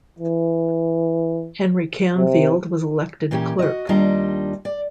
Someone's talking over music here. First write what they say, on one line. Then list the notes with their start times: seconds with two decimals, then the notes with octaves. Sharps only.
Henry Canfield was elected clerk.
0.19 E3
2.17 C3
3.31 A#2 E3 C#4 G4
3.59 F#4 D#5
3.89 D#2 G3 D4 F4 D#5 A#5
4.65 D5